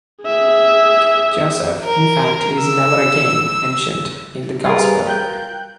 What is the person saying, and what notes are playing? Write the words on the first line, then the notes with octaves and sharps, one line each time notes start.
Joseph, in fact, is never again mentioned in the Gospel.
G#4 E5
A#4
E6
G3 F4 G#4 A#4 B4
G5 F#6 G6